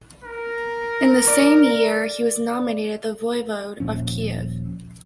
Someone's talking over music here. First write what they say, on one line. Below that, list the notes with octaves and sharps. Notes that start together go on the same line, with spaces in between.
In the same year he was nominated the voivode of Kiev.
A#4
D5
D#1 A#2 F3 C#4